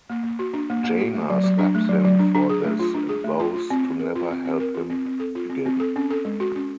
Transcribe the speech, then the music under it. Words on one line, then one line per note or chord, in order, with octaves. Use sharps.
Jaina slaps him for this and vows to never help him again.
A#3
A#3
F#4
D4
A#3
A#3
F#4
A3
F#3
F#3
D4
A3
F#3
F#3
D4
D4
G#4
A3
F4
D4
G#4
A3
F4
F4
C4
C4
A#4
F4
C4
C4
A#4
F4
C4
C4
A4
F4
C4
C4
A4
C#4
A4
G#3
F#4
C#4